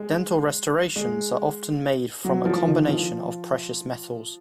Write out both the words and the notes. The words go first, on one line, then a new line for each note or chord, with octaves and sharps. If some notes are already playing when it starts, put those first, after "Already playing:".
Dental restorations are often made from a combination of precious metals.
Already playing: G#3
G#3
F#3
F3
D#3
F3